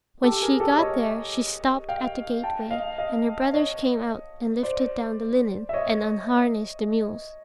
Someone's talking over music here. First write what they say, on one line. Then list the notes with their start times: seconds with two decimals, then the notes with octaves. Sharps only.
When she got there, she stopped at the gateway, and her brothers came out and lifted down the linen, and unharnessed the mules.
0.24 G4 A4
0.41 G#4 A#4
0.60 G4 A4
0.78 C#5 D#5
1.89 F5 G5
2.43 G5 A5
2.71 D#5 F5
2.98 D#5 F5
3.53 C#5 D#5
4.63 C5 D5
5.69 E5
5.73 C#5 D#5